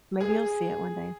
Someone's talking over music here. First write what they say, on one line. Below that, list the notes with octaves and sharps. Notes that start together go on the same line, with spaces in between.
Maybe you'll see it one day.
G#4